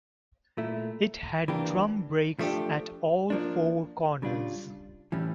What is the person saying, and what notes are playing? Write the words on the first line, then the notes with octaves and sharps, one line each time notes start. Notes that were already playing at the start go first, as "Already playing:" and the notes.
It had drum brakes at all four corners.
A#2 A3 E4
E3 A#3 D4 G4
F3 A3 D4 G4
F3 A#3 D4
C#3 G3 D4 F4
A2 E3 G3 C#4